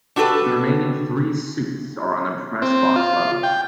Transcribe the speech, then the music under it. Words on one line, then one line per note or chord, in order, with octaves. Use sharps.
The remaining three suites are on the Press Box level.
D4 F#4 G4 A4 B4
C4
F4
G5